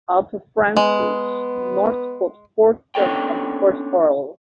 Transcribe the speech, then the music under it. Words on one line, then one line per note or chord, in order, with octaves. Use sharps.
Arthur Francis Northcote, fourth son of the first Earl.
G#3 B3
B3 C#4 D4 A4 C#5 G5